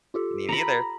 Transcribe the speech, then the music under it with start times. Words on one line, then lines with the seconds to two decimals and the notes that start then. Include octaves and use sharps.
Me neither,
0.14 F4 G4 A4
0.49 A#5 B5